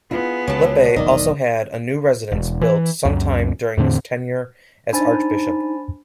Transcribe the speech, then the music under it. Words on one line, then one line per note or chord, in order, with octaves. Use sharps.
Lippay also had a new residence built sometime during his tenure as archbishop.
B3 E4 F4 G#4
C#2 C#3 F#3 A5
E1 B1 E2 D#3 D5 D#5
E1
E3
C#2 F#2
E2 A2 D3 C4
D4 D#4 C5 G#5 B5 A6